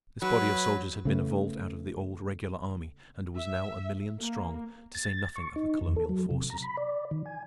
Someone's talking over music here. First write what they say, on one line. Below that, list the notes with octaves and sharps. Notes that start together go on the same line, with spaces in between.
This body of soldiers had been evolved out of the old regular army and was now a million strong, to say nothing of the colonial forces.
F#3 B4
C#3 A3 B3
E5
A#3
A6
C#6
D#4
F2
A4
F#3
C3
A#5
B5
D5
D#3
G#5